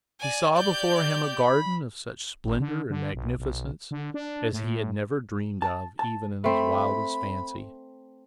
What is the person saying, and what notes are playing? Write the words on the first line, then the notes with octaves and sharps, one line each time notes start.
He saw before him a garden of such splendor and magnificence as he had never dreamed of even in his wildest fancy.
D5 G#5
G4 D5 G6
B5
A1
D3
D3
B1
B1
D3
D4
A2
A5
A5
A3 C4 B5